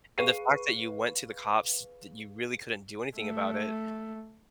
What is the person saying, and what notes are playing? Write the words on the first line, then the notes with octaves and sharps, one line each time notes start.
and the fact that you went to the cops that you really couldn't do anything about it.
G#4 B4 F5 C#6 C7 D#7
A3